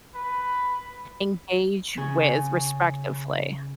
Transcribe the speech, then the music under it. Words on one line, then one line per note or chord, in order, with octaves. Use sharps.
engage with respectively.
B4
C#3 C#4